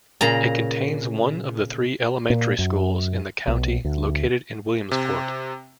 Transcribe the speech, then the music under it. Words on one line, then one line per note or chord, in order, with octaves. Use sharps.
It contains one of the three elementary schools in the county, located in Williamsport.
A#2 C#3 A#5
A#2
F#2
B1
D2
C3